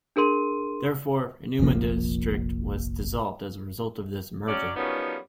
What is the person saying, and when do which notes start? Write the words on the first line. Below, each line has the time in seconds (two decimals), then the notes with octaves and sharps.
Therefore, Enuma District was dissolved as a result of this merger.
0.16 D4 G#4 A#4 C6 D#7
1.59 F1 A#1 F3 A#3
4.47 F#3 C#4 D5
4.76 F#2 F3 G3 B3 C#4 D#4